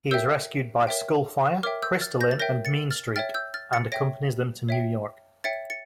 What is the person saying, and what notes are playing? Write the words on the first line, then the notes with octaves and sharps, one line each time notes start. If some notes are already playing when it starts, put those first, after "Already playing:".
He is rescued by Skullfire, Krystalin and Meanstreak and accompanies them to New York.
A#4 C#5 E5 G5 E6 G6
A#4 C#5 E5 G5
A#4 C#5 E5 G5 D6 F6
E6 G6
F6 A6
G6 A#6
A6
A#4 C#5 E5 G5 G6 A#6
A6 C#7
F6 A6
C#5 E5 G5 F6 A6
E6 G6
F6 A6
A6 C#7
C#5 E5 G5 A#6 D7
C#5 E5 G5
C#5 E5 G5 A6 C#7
A6 C#7